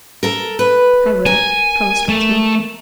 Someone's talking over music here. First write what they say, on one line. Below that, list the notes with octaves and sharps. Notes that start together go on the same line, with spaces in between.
"I will," promised Ozma.
A4 A#4
B4
A#4 G#5
A3